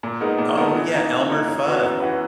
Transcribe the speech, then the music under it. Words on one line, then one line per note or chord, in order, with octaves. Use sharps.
Oh yeah, Elmer Fudd.
A#2
G#3 B3 D#4 A#4
A#2
G#3 B3 D#4 A#4
E3
A#3 D#4
E3
A#3 D#4
F#2
E3 B3 F#4 B4
F#2
E3 B3 F#4 B4